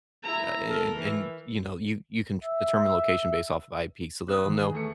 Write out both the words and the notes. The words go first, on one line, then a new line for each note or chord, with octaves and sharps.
a and and, you know, you you can determine location based off of IP, so they'll know
E4 A#5
A4 A#4
E3
E5
C4 D#6 F#6
D#3 E3
G#4
E2 A3 C#7